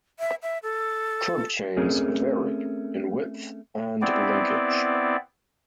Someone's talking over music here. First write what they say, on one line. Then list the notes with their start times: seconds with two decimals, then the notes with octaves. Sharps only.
Curb chains vary in width and linkage.
0.20 E5
0.43 E5
0.63 A4
1.77 A3 C4 C#4 G#4 A#4
4.02 B3 C4 E4 D5